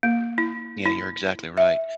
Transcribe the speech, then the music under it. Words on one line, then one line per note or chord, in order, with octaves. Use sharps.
Yeah, you're exactly right.
A#3
E4
E4
E5